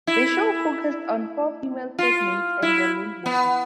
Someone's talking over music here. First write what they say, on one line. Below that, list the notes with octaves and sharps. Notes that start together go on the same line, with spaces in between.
The show focused on four female flatmates and their landlady.
E4
F4
E4
B3